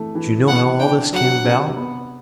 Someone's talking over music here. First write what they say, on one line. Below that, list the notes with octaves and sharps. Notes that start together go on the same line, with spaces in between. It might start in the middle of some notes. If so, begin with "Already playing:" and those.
Do you know how all this came about?
Already playing: E3 A3
E3
B3 F#5
D4 G5
F#3 F#5
C3
B3